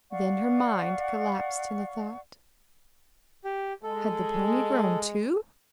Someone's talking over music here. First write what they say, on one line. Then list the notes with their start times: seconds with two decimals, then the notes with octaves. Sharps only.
Then her mind collapsed to the thought--had the pony grown too?
0.10 D5 F5 F#5 C#6
3.44 G4
3.83 G#3 A4